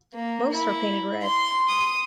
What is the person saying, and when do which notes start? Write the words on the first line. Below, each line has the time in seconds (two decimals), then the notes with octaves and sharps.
Most are painted red.
0.14 A#3
0.52 E4
1.23 C6
1.69 D#6